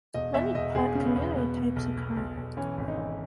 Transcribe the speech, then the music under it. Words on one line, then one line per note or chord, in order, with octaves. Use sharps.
Many plant community types occur.
E1 D#5
E2 E5
E1 D#5
E1 G#4
C#3
B3
E2
B2 B3
B2
B1
B2
B1
B1
E3 C#4
G#1
D#4
E3